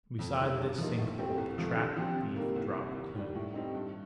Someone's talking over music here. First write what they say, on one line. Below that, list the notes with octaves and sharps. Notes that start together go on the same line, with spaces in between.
Beside this sink hole the trap-thief dropped Kloon.
F2
D#3 G3
G2
F3 A#3 D#4
A2
A3 C4 G4
C2
C3 F3 A3
D3
F3 C4 G4
C3
D#3 G3 A#3
C2
C3 D#3
D#2
D#3 G3 D4
A2
G3 C4 D#4
G2